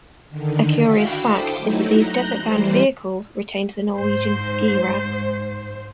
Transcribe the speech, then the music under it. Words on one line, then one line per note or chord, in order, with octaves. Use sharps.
A curious fact is that these desert-bound vehicles retained the Norwegian ski-racks.
D3 D#3
D4 E4 F#4 F5 G5 B5
A4 C5 G5 A5 D6 D#6
F#3 A3 D#4 E4
A#5 F#6 G6 A#6
E3 G3 C5
G#2 C5